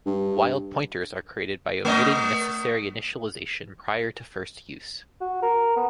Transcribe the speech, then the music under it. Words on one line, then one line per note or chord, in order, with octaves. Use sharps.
Wild pointers are created by omitting necessary initialization prior to first use.
G2
A3 D#5
F#4
A#4
B3